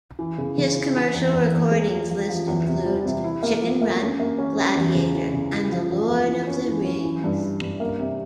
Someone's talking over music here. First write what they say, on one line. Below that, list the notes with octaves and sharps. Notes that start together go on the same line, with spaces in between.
His commercial recordings list includes "Chicken Run", "Gladiator" and "The Lord of the Rings".
E3
C#3
C#3
E3
E3
E2
E2
E2
G#3
F3
F3
F3
E2
C3
G3
C3
E4
A#3
F3
A#3
C#4
A#3
C#4
C#4
E2
C#3
E3
C#3
E4
F3
F3
F3
E3
C#4
E3
C#4
E3
G2
E3
G2
A#3
C3